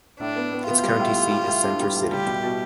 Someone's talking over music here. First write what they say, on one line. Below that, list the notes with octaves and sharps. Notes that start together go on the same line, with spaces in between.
Its county seat is Center City.
A2 D4
B3
B3
B3 F4
G3
A2
A2
G3
A2
D4
G3
A2
G3 G4
B2
B2